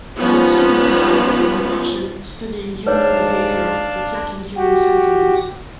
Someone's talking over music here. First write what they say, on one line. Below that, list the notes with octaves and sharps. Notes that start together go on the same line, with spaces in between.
He concerns himself with a Martian, studying human behavior, but lacking human sentiments.
F3 G3 G#3 B3 C#4 D#4
G#2 D4 B4 C#5 F5 A5
F#4 G4